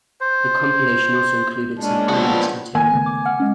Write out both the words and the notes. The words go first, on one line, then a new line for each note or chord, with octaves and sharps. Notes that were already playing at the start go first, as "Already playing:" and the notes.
The compilation also included some unreleased material.
C5
G#3 A#3 C#4 D4
F3 G3 B3 F#4 C5
D#3 A#3 G#5
C#3 A3 B3
D6
F#5 F6
G#3 C#4